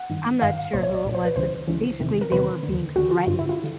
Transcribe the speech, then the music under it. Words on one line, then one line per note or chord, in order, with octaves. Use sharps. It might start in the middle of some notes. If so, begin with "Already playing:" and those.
I'm not sure who it was, but basically they were being threatened.
Already playing: F#5
G2 D#3
G2 D#3 F5
C2 A#2 C5
C#5
D5
C2 A#2
C5
B4
C#2 C#3 E3 C5
C#2 C#3 E3
E2 C3 D#3
A#4
E2 C3 D#3 B4
D3
D#2
D#2 D3 F#4
F4
G2 D3 F4
E4
F4
D3